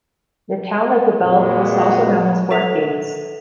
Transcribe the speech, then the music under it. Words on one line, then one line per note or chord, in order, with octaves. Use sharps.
The town that developed was also known as Fort Yates.
F2 A#2 G#3 F#4 B4
A4 B4 E5 F#5 B6 F7